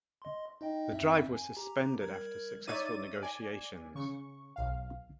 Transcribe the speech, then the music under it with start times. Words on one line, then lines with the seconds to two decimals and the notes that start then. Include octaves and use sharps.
The drive was suspended after successful negotiations.
0.22 D#5 C6
0.61 D#4 D#5 G5
0.93 F#2 C4 E5
1.33 G#5
1.57 G4 A#5
2.00 G3 A#4 G#6
2.67 D#4 C#5 D5 E5 A6 D#7
3.22 D5 G#5
3.95 C#3 C#6
4.56 B1 F5